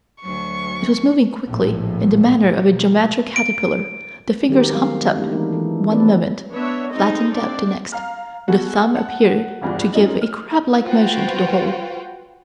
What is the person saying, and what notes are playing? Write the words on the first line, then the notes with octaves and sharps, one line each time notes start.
It was moving quickly, in the manner of a geometer caterpillar, the fingers humped up one moment, flattened out the next; the thumb appeared to give a crab-like motion to the whole.
D2 F#3 C#6
A#1 F2 A2
B2 F3 A#3
D7
D#3 G3 D#4 F#4 G4 A#4
F#3 G#3 B3 C4 A#4 F5
A3 A#3 D4 E4 G4
E3 G#3 B3 D4 D#4 A#4
E3 G#3 A4
B3 C4 A4 B4 D5
B3 D4 C#5 E5
G#3 C4 D#4 A4 D#5
C4 D4 D5
F5 A#5 F6
B3 F#4 G#4 A4
F#5 A5
G#1 E2 G2 A#2
F#2 C#4 D#4 F4 D#5 F#7
F6
F4 F#4 B4 C5 F#5 G5